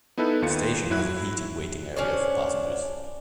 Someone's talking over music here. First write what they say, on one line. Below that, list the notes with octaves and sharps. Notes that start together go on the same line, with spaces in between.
The station has a heated waiting area for passengers.
B3 D#4 E4 A4 B4
D#2 F4 C#7
F#3 E4 F#6
C#4 D4 C5 C#5